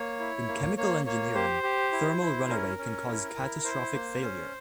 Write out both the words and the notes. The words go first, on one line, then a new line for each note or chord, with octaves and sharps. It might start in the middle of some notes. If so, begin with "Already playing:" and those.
In chemical engineering, thermal runaway can cause catastrophic failure.
Already playing: A#3 C#5
E4
A#3
A#3 C#5
A#3 C#5
G4 C5
G4
E4
E4
C#4 A#4
C#4
E4
E4
E4 C5
A#3
C#4